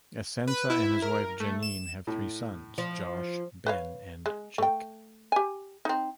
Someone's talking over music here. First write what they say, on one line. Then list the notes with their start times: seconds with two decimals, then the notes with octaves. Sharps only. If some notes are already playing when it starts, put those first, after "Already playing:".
Essensa and his wife Jeanine have three sons, Josh, Ben and Jake.
0.47 B4
0.70 E4
1.02 A#4
1.40 A3
1.63 E7
2.07 A2
2.78 F3
3.67 B4 C#5 F5
4.26 G#3
4.58 A3 G5
5.32 G4 G#5
5.85 C4 D#4